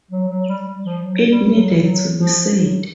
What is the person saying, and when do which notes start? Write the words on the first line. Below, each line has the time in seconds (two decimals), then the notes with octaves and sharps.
It needed to be said.
0.11 F#3
0.29 F#3
0.47 G3
0.65 G3
0.84 F3
1.02 F#3
1.28 G3
1.52 F#3
1.70 G3
1.77 F#3
2.14 F3
2.51 F#3